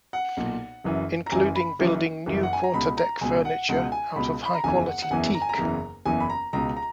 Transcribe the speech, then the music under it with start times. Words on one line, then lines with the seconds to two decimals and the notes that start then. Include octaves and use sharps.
Including building new quarter deck furniture out of high quality teak.
0.13 F#5
0.37 B1 A#2
0.84 F#1 F#2 E3
1.26 A#5
1.32 F#1 F#2 E3 G#5
1.55 B5
1.79 F#1 F#2 E3
2.26 F#1 F#2 E3
2.43 F#5
2.53 G#5
2.64 A#5
2.74 C#2 B2 B5
2.97 A#5
3.21 C#2 B2 G#5
3.45 F#5
3.69 C#2 B2 F#5
3.92 G#5
4.16 C#2 B2 B5
4.45 B5
4.54 A#5
4.64 F#1 E2 C#3 E3 G#5
4.87 F#5
5.02 F#5
5.10 F#1 E2 C#3 E3 G#5
5.34 A#5
5.42 G#5
5.49 A#5
5.58 F#1 E2 C#3 E3
6.06 F#1 E2 C#3 E3 G#5
6.20 B5
6.30 A#5
6.53 C#2 B2 A#5
6.77 A#5